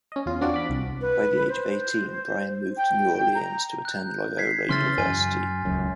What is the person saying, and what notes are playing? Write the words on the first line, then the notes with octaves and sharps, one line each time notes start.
By the age of eighteen, Brian moved to New Orleans to attend Loyola University.
C#4 D#5
E2 F4
C4 D4 F4 F#4 D5
B5 D6
C2
B4
C5
G5
A#5
F#6 G6
G#6 B6 C7
C#3 E3 C#4 C6 F6 A6
F#2 G#5
D#1 C#2 F#2